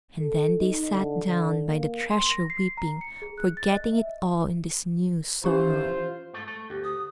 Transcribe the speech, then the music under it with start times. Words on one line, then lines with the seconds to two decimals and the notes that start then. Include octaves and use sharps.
And then they sat down by the treasure weeping, forgetting it all in this new sorrow.
0.21 A4
0.59 D#4
0.92 D3
1.25 D3
1.68 A#3
2.10 C6
2.31 A#6
2.50 C7
2.77 A#5
3.01 C#7
3.22 G#4
3.38 F#6
3.57 A6
3.72 D#5
3.93 E5
5.44 E3 C#4 F4 G4 C5 A#5
6.33 G#2 A3
6.48 A3
6.70 D2 G4
6.84 D#6